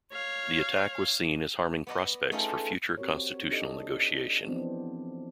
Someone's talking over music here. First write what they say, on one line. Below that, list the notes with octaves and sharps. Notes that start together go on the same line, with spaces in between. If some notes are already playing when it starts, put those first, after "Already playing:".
The attack was seen as harming prospects for future constitutional negotiation.
C#5 F5
B3 D5 D#5 F#5
A3 C#4 D#4 F4 G#4 A4
C4 F#4 G4 A#4 C#5
D4 D#4 G4 A4 D5 D#5
E3 F3 B3 C4 D4